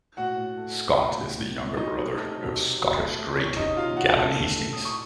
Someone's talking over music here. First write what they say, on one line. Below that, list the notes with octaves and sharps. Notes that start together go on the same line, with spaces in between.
Scott is the younger brother of Scottish great Gavin Hastings.
A2 F#4 F#5
A2
A3
A3
A2
A2
A2
A2
F#3 D#4 D#5
C3
A3
F#3
C3
F#3
A3
A3
C3 C#4 C#5
C3 D#4 D#5
C3 F4 F5
C3 F#4 F#5
A3 A4 A5
A2
A3
A2 D#6
C#6